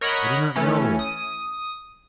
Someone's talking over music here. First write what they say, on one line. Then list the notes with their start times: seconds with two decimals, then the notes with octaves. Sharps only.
I do not know!
0.01 A#4 C#5 D#5 F#5 B5
0.56 E3 A3 C#4
0.99 D#6